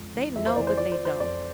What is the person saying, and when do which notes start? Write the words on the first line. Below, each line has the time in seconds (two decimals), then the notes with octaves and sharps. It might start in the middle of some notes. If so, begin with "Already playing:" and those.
they know, but they don't.
Already playing: F2 G#2
0.15 E3
0.36 F2 E5
0.46 C5
0.56 E3 D5
0.67 C5
0.77 F3 D5
0.92 C5
0.99 F3
1.05 C5
1.20 F2 D5